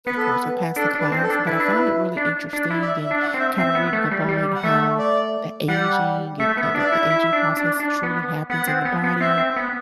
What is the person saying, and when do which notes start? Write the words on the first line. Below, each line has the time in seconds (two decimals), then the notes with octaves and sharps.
of course, I passed the class, but I found it really interesting and kinda reading up on how the aging and, uh, the the aging process truly happens in the body,
0.06 B3 B4
0.17 A4
0.29 B4
0.76 D4 A4
0.95 D4
1.00 B4
1.12 C4
1.23 A4
1.30 D4
1.47 E4 B4
1.60 D4
1.72 E4
2.17 D4
2.53 D4
2.70 E4
2.82 D5
2.87 E5
3.05 E5
3.11 D4
3.22 F#5
3.34 C4
3.40 E5
3.58 C4 E5
3.75 B3
3.93 A3
4.11 G3
4.28 G3
4.55 F#5
4.63 A3 E5
4.99 D5
5.68 G3 F#5
6.39 A3 E5
6.57 B3
6.63 E5
6.75 D4 D5
6.86 E5
6.92 E4
7.10 E4
7.33 D4
7.57 D4
7.80 D4
8.03 B3
8.50 B3 F#5
8.67 C4
8.85 B3
9.04 B3
9.20 C4 E5
9.38 C4
9.56 B3